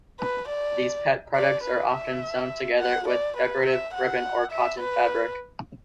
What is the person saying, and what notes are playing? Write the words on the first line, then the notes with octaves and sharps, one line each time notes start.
These pet products are often sewn together with decorative ribbon or cotton fabric.
B4
D5
D5
B4
E5
F#5
D5
B4
E5
F#5
E5
B4